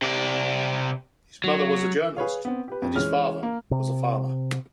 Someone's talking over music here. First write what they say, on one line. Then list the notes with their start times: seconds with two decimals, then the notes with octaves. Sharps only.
His mother was a journalist and his father was a farmer.
0.02 C3 D5
1.44 F#3
2.17 G#4 B4 C#5 F5
2.45 B3 C4
2.68 G4 B4
2.82 F2
2.96 E3 G#3 C#4 F6
3.43 A#3
3.71 C3